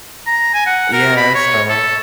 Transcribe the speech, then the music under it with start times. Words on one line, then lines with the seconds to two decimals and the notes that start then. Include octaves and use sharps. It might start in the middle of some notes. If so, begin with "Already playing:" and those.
Yeah, so
0.27 A#5
0.54 G#5
0.66 F#5
0.93 A#4
1.17 B5
1.35 C#5
1.69 A4